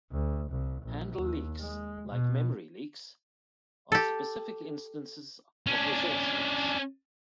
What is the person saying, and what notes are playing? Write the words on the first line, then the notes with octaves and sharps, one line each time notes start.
Handle leaks, like memory leaks, are specific instances of resource leaks.
D2
C2
A#1
D#2
G#3
B2
G4 A4
C#4 D4